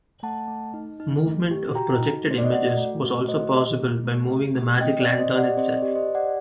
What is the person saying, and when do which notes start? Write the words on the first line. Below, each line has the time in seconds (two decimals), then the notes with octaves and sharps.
Movement of projected images was also possible by moving the magic lantern itself.
0.23 A3 F#5 A5
0.48 A3
0.74 D#4
1.00 D#4
1.25 A3
1.51 G4
1.75 F#4 G5 A#5
2.01 D#4
2.27 A3 C5
2.38 D5
2.44 D#5
2.51 F#4 D5 F#5
2.77 A3
3.04 F#4
3.28 A3 C5 D#5
3.54 G4
3.80 A3
4.05 A3
4.30 G4
4.55 A3
4.81 C4 D#5 G5
5.00 D5
5.07 C4
5.19 C5 D#5
5.32 G4
5.38 D5 F#5
5.57 C4 C5 D#5
5.77 D5
5.82 G4
5.95 C5 D#5
6.08 G4
6.15 D5 F#5